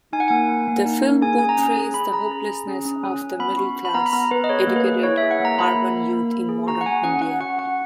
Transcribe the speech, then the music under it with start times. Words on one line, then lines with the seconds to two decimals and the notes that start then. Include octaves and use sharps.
The film portrays the hopelessness of the middle-class, educated, urban youth in modern India.
0.13 D#4 G#5
0.20 F#5
0.28 A#3 G#5
0.49 A#3
0.68 A#3
0.85 D#4
1.03 A#3
1.22 G#4 G#5
1.38 C#4 G#5
1.49 A#5
1.58 C#4
1.76 G#4
1.94 C#4 B5
2.12 G#4 A#5
2.31 G#4
2.49 G#4
2.67 C#4
2.85 C#4
3.04 C#4
3.22 C#4
3.39 B3 B5
3.58 F#4
3.76 F#4
3.85 B5
3.94 B3 A#5
4.06 B5
4.13 B3 A#5
4.31 B3 B4
4.44 D#5
4.49 G#4 C#5
4.67 A#3
4.76 B4
4.86 G#4
5.03 E4 C#5
5.18 E5
5.22 G#4
5.31 F#5
5.40 A#3 A#5
5.58 A#3 B5
5.77 A#3
5.95 A#3
6.13 A#3
6.31 A#3
6.49 G#4
6.67 F#4 A#5
6.81 F#5
6.86 F#4 G#5
7.04 C#4 F#5
7.22 C#4 F#5
7.40 F#4 F#5
7.58 F#4 F#5